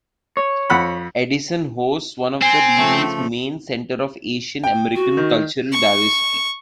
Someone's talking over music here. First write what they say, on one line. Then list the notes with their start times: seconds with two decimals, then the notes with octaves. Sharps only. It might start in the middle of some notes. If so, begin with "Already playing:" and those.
Edison hosts one of the region's main centers of Asian American cultural diversity.
0.37 C#5
0.70 F2 F#5 B5
2.42 C4 G#5
2.75 C#3 F3 A3
4.64 G5
4.96 F#4
5.17 D#3
5.72 C#6